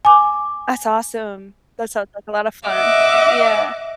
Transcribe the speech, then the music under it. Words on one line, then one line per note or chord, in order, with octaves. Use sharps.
That's awesome. That sounds like a lot of fun. Yeah.
G#5 D6
D#5 E5 F#5 D6